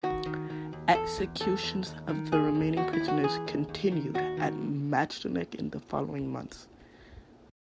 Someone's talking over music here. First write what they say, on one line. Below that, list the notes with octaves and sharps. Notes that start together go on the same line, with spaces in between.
Executions of the remaining prisoners continued at Majdanek in the following months.
D#3 F#4
D#3
D#3
D#2
E2 A4
E2
E2 A4
E2
D#2
D#3
D#2 G#4
D#2
D#2 F#4
E4
D#2
F#4
E3 G#4
D#2
D#2
D#3
D#2 F#4
D#3